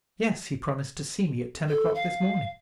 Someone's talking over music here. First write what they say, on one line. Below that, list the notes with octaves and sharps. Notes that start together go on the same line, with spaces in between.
"Yes, he promised to see me at ten o'clock this morning."
A4
F5